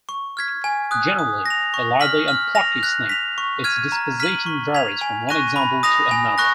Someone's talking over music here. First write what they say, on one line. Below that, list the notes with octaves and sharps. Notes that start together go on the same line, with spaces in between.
Generally a lively and plucky snake, its disposition varies from one example to another.
C#6
F6 G#6 B6
G#5
D#6 F#6
D#6
A#6 F7
C#6
F6 B6 F#7
F6
A#6 F7
F#6
B6 F7
C#6
F6 G#6 D#7
A#5
F6 B6 D#7 F#7
C#6
G#6 B6 F7
G#5
C#6 F#6 A#6 D#7
B5
D#6 A#6 F7
G#5
C#6 F#6 A#6